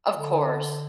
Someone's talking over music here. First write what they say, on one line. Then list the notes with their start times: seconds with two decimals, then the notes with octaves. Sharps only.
Of course.
0.14 D3